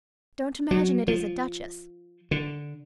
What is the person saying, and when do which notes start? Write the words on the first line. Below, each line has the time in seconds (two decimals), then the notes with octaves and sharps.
Don't imagine it is a duchess.
0.71 F#3
1.08 F3
2.31 D3